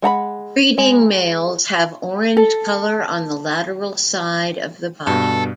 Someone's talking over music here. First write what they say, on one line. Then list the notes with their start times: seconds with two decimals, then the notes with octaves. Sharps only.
Breeding males have orange color on the lateral side of the body.
0.02 G#3 F#5 A#5 B5
0.78 G#3
2.37 A4
5.07 G2 B2 A4